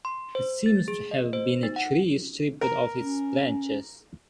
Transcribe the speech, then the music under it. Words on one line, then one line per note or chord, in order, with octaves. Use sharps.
It seems to have been a tree stripped of its branches.
C6
C5
A6
G#4
D#5
C5
D#4
F#5
A#4
C#4